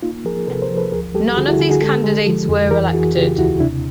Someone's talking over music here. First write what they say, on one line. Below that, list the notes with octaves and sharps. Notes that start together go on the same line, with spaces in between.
None of these candidates were elected.
A#3 D#4 F4
F3 G#4 A#4
C3 A4 B4
A#4 C5
F3
A4 B4
D2 G#4 A#4
G3 G4 A4
D3 F#4 G#4
E4 F#4
D3 F#4 G#4
F#4 G#4
G#3 G4 A4
G#3
F3
F2
E3 G#4 A#4
E3 F#4 G#4
C#3 F4 G4
D#2 E4 F#4
C3 D4 E4